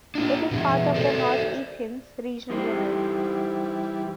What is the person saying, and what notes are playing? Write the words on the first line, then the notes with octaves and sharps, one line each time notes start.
It is part of the North Athens regional unit.
D4 F4
B2 G#4
A4 C5 D5
E3 G3 D#4 G4 C5